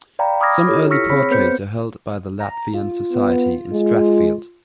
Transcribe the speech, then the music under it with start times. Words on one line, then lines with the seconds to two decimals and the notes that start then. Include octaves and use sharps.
Some early portraits are held by the Latvian Society in Strathfield.
0.19 D5 F5 G5 A#5 B5
0.40 B5 D6 D#6 F6 G#6 A#6
0.67 E4 F4 G4 A4 C#5
0.91 C#6 E6 F6 A#6 B6 C#7
1.09 C4 G#4 C#5 B5 B6
1.31 B3 C4 B4 C5 G6 C#7
2.40 A#5
2.74 F4
3.13 B3
3.72 G#3